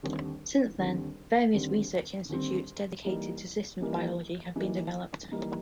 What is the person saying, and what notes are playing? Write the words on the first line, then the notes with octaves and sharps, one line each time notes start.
Since then, various research institutes dedicated to systems biology have been developed.
D#2 D3 G3 C4
D#2 D3 G3 C4
D#2 D3 G3 C4
D#2 D3 G3 C4
E3 G3 A#3 D#4
E3 G3 A#3 D#4
E3 G3 A#3 D#4
E3 G3 A#3 D#4